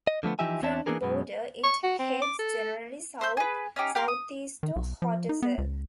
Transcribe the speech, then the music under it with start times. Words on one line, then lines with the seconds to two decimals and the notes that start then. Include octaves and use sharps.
From the border, it heads generally south-south-east to Hotazel.
0.07 D#5
0.23 D3 F3 A3 B3
0.39 E3 F3 D#4 G4 E5 G#5
0.62 E2 C4 C#5 E5 A5
0.86 E3 A#3 B3 D4 G#4 A#4
1.02 F#2 B2 G#3
1.63 C#6
1.83 F#4
1.99 C4
2.22 D6
2.39 A4
3.21 C5 E5 G6
3.37 G#4 B4
3.76 C#4 D#4 G4
3.95 G4 A#4 F5 C6
4.08 D#6
4.63 D#3
4.76 B1
5.02 F3
5.29 D#4
5.43 B3
5.58 C#2